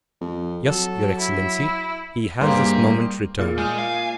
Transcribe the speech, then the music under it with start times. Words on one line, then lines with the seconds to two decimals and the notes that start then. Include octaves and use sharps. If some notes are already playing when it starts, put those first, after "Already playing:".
"Yes, your excellency; he has this moment returned."
0.21 F2
0.66 F#3 A4
1.19 E4
2.41 G2 A#3 G4 G#4 C5
3.39 A#2 G#4 F6
3.58 G#3 G#5 F6 G6
3.79 F5